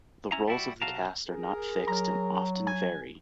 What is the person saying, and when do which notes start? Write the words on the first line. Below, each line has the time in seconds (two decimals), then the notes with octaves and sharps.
The roles of the cast are not fixed and often vary.
0.32 C#4 E4 A#5
0.48 G3 E4 F#4
0.82 B1 C3 F#4 F5 A5 A#5
1.28 G#4 A#4
1.87 F#3 A#5
2.67 G#5